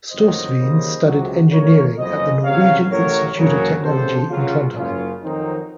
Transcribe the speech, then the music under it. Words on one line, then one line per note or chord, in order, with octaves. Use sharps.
Storsveen studied engineering at the Norwegian Institute of Technology in Trondheim.
F#1 F2 D#3 F#3 C5 D#5
D#2 C#3 F#3
C#2 C3 F#3
A1 A2 F3 A#4 C#5
F#1 F2 C#3 F#3 C5 D#5
C#2 C3 F#3 C#5 F5
A1 A2 F#3 A#4 C#5
F#1 F#2 C#3 F#3 A#4 C#5
C#2 C3 F3 A4 C5
C#2 C#3 F#3 C#4 F4
F#1 F#2 C#3 C#4 F4
F2 D#3 F#3 C4 D#4